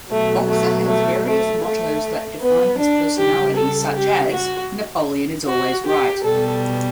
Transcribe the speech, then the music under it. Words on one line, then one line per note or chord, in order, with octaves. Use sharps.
Boxer has various mottoes that define his personality, such as: Napoleon is always right.
B2 F#3 A3
A3
A3
A3
A3
B3
D4
C#3 G3 G4
A4
G4
F#4
F#4
G4
B2 G3 A4